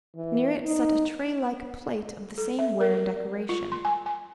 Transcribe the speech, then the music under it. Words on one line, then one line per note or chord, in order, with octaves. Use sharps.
Near it set a tray-like plate of the same ware and decoration.
E3
D#4
A4
E5
A#4
A#4
D5
F4
C6
G#5
G#5